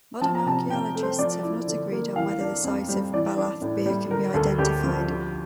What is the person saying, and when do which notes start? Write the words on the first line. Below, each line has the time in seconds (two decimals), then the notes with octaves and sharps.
Modern archaeologists have not agreed on whether the site of Baalath-Beer can be identified.
0.22 F3 A5
0.35 A#5
0.46 C3 A5
0.70 C3 G5
0.95 A3
1.03 C5
1.19 F3 D5
1.43 E4
1.67 D3
1.92 A#3
2.16 E3 F5
2.40 D4
2.64 F2
2.89 G3
3.13 E3 D5
3.38 D4
3.61 A2
3.86 G3
4.10 D3 A#4
4.34 D2 A4
4.59 D2 G4
4.84 F3
5.08 D3